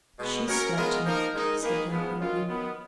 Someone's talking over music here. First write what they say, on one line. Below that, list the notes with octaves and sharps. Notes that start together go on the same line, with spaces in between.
"She slapped him," said Hale grimly.
B2 G#3 B3
F#3 C#4 F#4 A#4
D#3 G#3 B3 F4 A#4
F3 A#3 D#4 A#4
D#3 G#3 D#4 A#4
D#3 A#3 D#4 G#4 B4
G#2 F3 B3
D#3 F#3 C#4 F4
D#3 F#3 B3